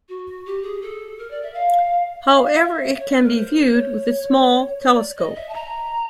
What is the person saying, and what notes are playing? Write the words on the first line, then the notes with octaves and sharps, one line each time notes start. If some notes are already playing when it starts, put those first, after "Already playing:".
However, it can be viewed with a small telescope.
F#4
G4
G#4
A4
A#4
D5
E5
F5
E5
F5
E5
F5
E5
C#5
B4
A#4
C5
C#5
C#5
D5
D#5
E5
A5
A#5